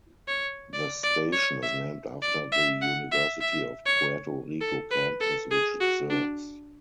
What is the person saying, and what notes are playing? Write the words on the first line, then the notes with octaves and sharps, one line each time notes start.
The station is named after the University of Puerto Rico campus which it serves.
C#5
D5
D5
C#5
E5
D5
E5
F#5
E5
E5
C#5
A4
B4
A4
G#4
F#4
D4